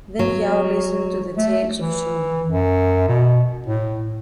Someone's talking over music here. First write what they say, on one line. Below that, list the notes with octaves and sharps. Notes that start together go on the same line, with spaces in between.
Then Yao listened to the tales of Shun.
F#3
A3
E3
F#2
B2
A2